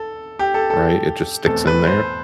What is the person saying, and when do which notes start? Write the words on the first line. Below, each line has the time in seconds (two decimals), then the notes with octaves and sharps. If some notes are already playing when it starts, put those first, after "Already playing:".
right? It just sticks in there?
Already playing: A4
0.39 G4
0.54 A4
0.70 A4
1.46 E2 B2 A3 C4 A4
1.67 B4
1.87 C5